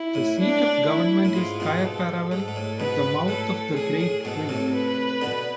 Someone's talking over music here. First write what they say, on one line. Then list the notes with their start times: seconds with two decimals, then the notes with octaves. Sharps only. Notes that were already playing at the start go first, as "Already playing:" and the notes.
The seat of government is Cair Paravel, at the mouth of the Great River.
Already playing: E4
0.15 A2
0.39 D4
0.88 E4
1.25 A2
1.35 G#2 F4
1.60 G#2 B2
1.83 A4
2.32 G#2 A4
2.48 G#2
2.56 A2
2.80 G#2 B2 B4
3.28 A2 A4
3.76 A2 G#4
4.01 A2
4.25 G#2 B2 A4
4.49 A2 C3
4.74 B4
5.21 B2 D3